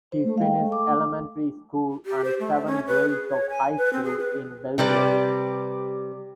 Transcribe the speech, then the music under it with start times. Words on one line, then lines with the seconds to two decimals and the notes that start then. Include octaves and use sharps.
He finished elementary school and seven grades of high school in Belgrade.
0.12 C5
0.24 A3
0.38 G#3 F5 G5
0.58 A3
0.72 D6
2.06 G4
2.24 C5
2.40 A3
2.66 C#4
2.88 B4
3.09 G#4
3.29 C#5
3.50 G#5
3.77 B4
3.93 C4
4.04 G#4
4.19 B4
4.78 C3 G3 B4 D5